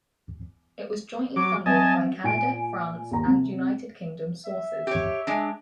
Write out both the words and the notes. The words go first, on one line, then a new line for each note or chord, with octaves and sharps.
It was jointly funded by Canada, France, and United Kingdom sources.
F#3 D6
F#3 C4 D#5 E5 G#5 A5
A#2 G#5 D7
D#2 A#5
C3
E5
G4 C#5
G#3 D4